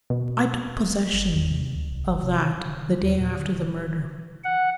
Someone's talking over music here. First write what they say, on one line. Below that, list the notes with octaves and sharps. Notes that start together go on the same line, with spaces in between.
I took possession of that the day after the murder.
B2
G1
E2
C3
D2
C2
F#1
C3
D3
E3
D#2
A#2
D3
F#5